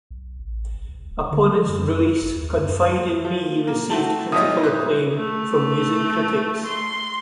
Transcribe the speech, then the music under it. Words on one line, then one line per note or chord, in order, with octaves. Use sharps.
Upon its release, "Confide in Me" received critical acclaim from music critics.
B1
A1
G#1
C#2
D1
D3
F3
F#2
G1
D#2
F#2
F3
A#3
A3 C4 F#4 A5
B1 F3 C#5 D#5 E5 D#6
G3 C5 F#6
A3
C6